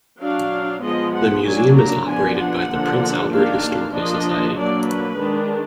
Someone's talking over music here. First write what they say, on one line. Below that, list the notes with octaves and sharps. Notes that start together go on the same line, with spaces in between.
The museum is operated by the Prince Albert Historical Society.
F#3 D4 F5
F3 G#3 B3 D#5
F#5
F#3 A#3 D4 G#5
A#5
F3 B3 D4 G#5
F#5
D3 F3 A#3 D4
D#3 A#3 D4 F5
F3 A#3 D4 D#5
F#3 A#3 D4 D5
B4
D#3 G#3 D4